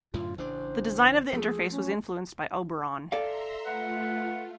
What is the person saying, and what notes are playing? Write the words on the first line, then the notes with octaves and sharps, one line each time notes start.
The design of the interface was influenced by Oberon.
F#2 A2 D3 F4
A1 C#3 D4 C5
F3 A3 G#4
C#4
A4 D5 E5 F5 A#5 C6
A3 F4 B4 F#5